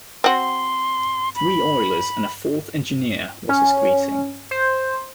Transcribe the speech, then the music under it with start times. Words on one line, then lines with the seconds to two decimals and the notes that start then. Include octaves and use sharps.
Three oilers and a fourth engineer, was his greeting.
0.24 C4 F#4 C6
1.35 B5
3.49 C#4
4.51 C5